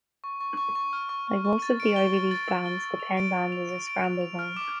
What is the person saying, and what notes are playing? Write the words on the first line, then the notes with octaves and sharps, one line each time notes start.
Like most of the Ivy League Bands, the Penn Band is a scramble band.
C#6
C#6
C#6
C#6
F6
C#6
C#6
C#6
A6
D7
G7
A6
A6
E6
G7
A6
F7
D7
D7
F7
D7
D7
F7
F7
F6
D6